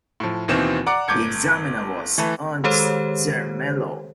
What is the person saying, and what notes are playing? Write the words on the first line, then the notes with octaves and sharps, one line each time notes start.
The examiner was Ernst Zermelo.
A2 F3
D#2 B2 D#3 E3 C4 E7
D5 F#5 A#5 D6
G1 D6 G6 G#6 C#7
E3 A3 B4
D#3 G#3 G4 A4 C5 C#5